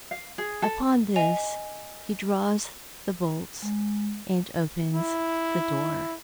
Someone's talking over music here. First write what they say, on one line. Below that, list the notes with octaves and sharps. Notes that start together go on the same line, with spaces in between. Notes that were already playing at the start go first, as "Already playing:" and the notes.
Upon this he draws the bolts and opens the door.
F5
G#4
A4
D#5 G#5 F7
G#3
E4